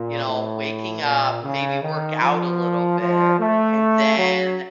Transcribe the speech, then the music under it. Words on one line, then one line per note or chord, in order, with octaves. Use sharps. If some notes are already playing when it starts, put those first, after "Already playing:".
you know, waking up, maybe work out a little bit, and then
Already playing: A#2
A2
A#2
C#3
D#3
F3
F3
A3
F#3